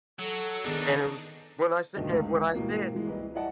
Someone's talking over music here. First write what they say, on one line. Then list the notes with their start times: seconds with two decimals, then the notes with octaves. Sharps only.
And it was when I sa and when I said
0.19 F#3 A4
0.64 D#3 B3 D4 D#4 G#4
1.95 G1 B2 D3 D#3 A3 D#5
2.13 C#2
2.54 G#2 B2 E3 G3 A#3
2.95 E3 G#3
3.07 C2 B4 D#5
3.35 E4 D5 D#5 F#5 A5